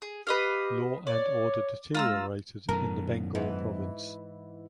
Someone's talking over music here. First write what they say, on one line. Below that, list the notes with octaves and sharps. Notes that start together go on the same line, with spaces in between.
Law and order deteriorated in the Bengal province.
G#4
G4 B4 D#5 F5
C#5 D5
G#3 F4 A#5 E6
F#2 B2 D#3 A#4
G#2 E3